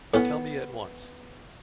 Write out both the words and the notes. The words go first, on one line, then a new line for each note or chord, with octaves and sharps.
Tell me at once.
A2 B3 C#4